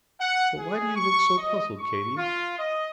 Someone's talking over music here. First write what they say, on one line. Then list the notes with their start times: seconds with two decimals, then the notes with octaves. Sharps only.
But why do you look so puzzled, Katy?
0.21 F#5
0.58 G#4
0.95 C#6
1.38 D#5
1.77 C#6
2.17 F4
2.58 D#5